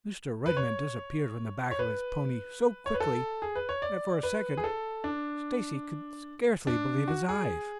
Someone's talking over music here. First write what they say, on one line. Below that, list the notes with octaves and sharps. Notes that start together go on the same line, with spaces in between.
Mr. Redman disappeared from the back of his pony so quickly that, for a second, Stacy could scarcely believe his eyes.
B4
C#5
C#5
B4
C#5
B4
A4
G#4
B4
C#5
D5
B4
G#4
A4
D4
D4
F#4
G#4